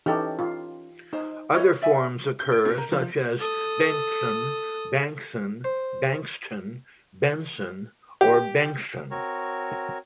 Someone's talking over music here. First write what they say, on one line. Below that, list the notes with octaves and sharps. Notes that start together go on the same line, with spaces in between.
Other forms occur, such as "Bengtzon", Bankson, Bankston, Benson or "Benktsson".
E3 C#4 D#4 G4 A4 A#5
F4
D#4 C5
B4 C#5 D#5
D5 E5 G#5
G6
D7
B2
A#4
F3
A4 D#6
C5
G4
C4 F#4 A#4 C#5